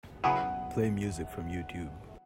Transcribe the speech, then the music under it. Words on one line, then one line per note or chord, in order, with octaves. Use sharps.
Play music from Youtube.
C#3 F#3 B3 E4 G#4 F#5